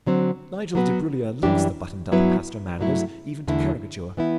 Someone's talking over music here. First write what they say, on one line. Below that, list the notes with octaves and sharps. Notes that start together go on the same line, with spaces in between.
Nigel Debrullier looks the buttoned-up Pastor Manders, even to caricature.
D3 F#3 C4
F#3 B3 F#4 B4
F#2 E3 G3 D4 G4
G2 F#3 B3 E4 B4
G2 F#3 A3 E4
E2 D3 A3 E4
E3 B3 E4